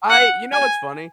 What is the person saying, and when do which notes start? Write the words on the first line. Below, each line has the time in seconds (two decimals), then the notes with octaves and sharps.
I you know what's funny?
0.10 F#5
0.53 G#5